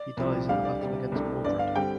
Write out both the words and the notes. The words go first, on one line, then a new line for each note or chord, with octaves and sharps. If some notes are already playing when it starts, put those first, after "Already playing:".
He dies in the battle against Mordred.
Already playing: D5
C2 C3 F3 C4
D2 D3 G3 D4 F5
D5
D2 C3 G3
C2 C3 A3 D4
G1 G2 D3 D5
F5
D3 G3 C4 G5